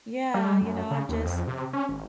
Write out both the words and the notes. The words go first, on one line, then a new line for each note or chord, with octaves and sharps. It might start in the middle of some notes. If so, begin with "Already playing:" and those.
Yeah, you know, I just
G3
F#2
C#3
D#2
F2
C3
C#4
G#1